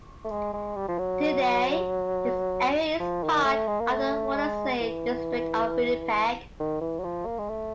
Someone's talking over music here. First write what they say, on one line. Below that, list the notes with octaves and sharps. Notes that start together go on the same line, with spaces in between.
Today this area is part of the Wolseley district of Winnipeg.
A3
G#3
G#3
G3
F3
F#3
F3
D#3
A3
G#3
A#3
A3
G#3
E3
D#3
E3
F#3
F3
A#3
G#3
A3